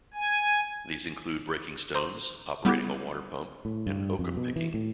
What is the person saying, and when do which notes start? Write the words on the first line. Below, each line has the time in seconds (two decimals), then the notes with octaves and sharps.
These included breaking stones, operating a water pump, and oakum picking.
0.14 G#5
1.94 C5 A#5 C6
2.65 G3 B3 E4 G4
3.65 A2
3.86 G2
4.19 F2
4.37 B2
4.56 E3
4.74 A2